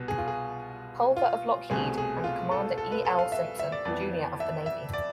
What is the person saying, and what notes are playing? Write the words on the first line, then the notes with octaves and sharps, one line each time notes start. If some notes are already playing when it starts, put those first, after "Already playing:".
Pulver of Lockheed and Commander E. L. Simpson, Junior of the Navy.
Already playing: C2 B2 B3
G#4
F4
G#4
F4
C2 B2 A3 C4 G#4
G#4
F4
A4
A4
B4
A4
F5
E5
E5
D5
F2 E3 B3 D5
E5
E5
D5